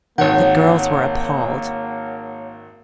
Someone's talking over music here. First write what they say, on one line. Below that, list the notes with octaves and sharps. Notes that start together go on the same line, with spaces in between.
The girls were appalled.
G#1 D#3 A#3 C#5 F#5